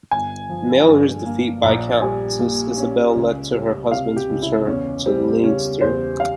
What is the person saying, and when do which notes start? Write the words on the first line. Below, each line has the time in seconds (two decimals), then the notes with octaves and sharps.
Meilyr's defeat by Countess Isabel led to her husband's return to Leinster.
0.11 G1 G#5
0.49 F3
0.88 G2
1.26 A#3
1.63 A#1 A#5
2.02 G3 G#5
2.39 A#2
2.77 C#4
3.15 C#2
3.53 G3
3.91 C3 F5
4.17 G4
4.29 C#2
4.42 E4
4.67 E2 C#4
5.06 G3 C4
5.44 C#3 C#4
5.81 E2 C5
6.20 F5